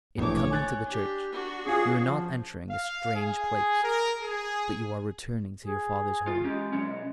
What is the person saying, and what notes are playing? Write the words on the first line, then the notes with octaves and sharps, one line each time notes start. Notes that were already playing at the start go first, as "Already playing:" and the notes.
In coming to the Church, you are not entering a strange place, but you are returning to your Father's home.
A#1 E3 A3 C#5 D6
G#5 F#6 A6
D4 G4
D4 F#4
C#4 F4 G#4
F3
F5
G#4
A#4
G#4
G#4
F4
G#3 C#4 G4
B2 F#3 C#4